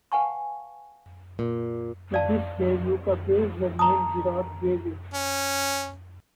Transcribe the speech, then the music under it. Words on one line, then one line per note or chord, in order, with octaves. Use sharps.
To this day Yucca bears the name Gerard gave it.
B4 F5 F#5 G#5 A5 C#6
A#2
D5 F5 A5
A5 A#5 D#6
C#4